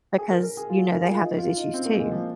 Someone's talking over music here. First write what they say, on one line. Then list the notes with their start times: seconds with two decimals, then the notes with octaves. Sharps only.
because you know they have those issues too.
0.18 G#4
0.31 A#4
0.43 A#4
0.57 G#4
0.70 F4
0.92 A#4
1.03 G#4
1.11 F4
1.21 D#4
1.38 F4
1.57 D#4
1.74 C4
1.86 A#3
2.00 G#3
2.11 F3